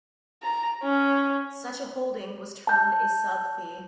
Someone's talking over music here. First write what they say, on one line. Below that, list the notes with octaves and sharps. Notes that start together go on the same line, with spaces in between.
Such a holding was termed a sub-fee.
A#5
C#4
A5 G6